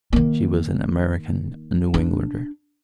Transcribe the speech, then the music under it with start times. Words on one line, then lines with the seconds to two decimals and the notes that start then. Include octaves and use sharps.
She was an American, a New Englander.
0.13 D#3 A#3
1.94 D4